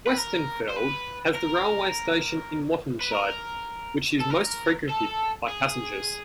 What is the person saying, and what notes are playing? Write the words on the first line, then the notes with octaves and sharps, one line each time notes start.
Westenfeld has the railway station in Wattenscheid which is most frequented by passengers.
B4
A#4
C5
B4
A#4
B4
A#4
A4
A#4
A4
G#4